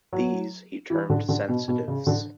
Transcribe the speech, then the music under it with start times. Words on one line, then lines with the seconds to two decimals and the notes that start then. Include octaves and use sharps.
These he termed "sensitives".
0.13 F#3
0.90 E3
1.10 D3
1.29 D3
1.48 B2
1.68 B2
1.88 C#3
2.07 D3